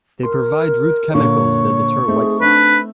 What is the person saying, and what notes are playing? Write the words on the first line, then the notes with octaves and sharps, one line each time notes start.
They provide root chemicals that deter whiteflies.
A#4 C6
A#2 D3 A#3 C#5 C#6
A3 C4 D#4 G#4
D4 B4